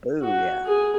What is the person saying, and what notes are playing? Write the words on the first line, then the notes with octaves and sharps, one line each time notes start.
Ooh, yeah.
F#4
G#4